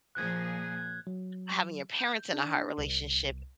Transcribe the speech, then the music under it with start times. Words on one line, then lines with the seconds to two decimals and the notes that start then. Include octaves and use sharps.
having your parents in a hard relationship,
0.15 A#2 F3 G#4 F#6 G#6
1.07 F#3
1.99 G6
2.33 D4
2.78 C2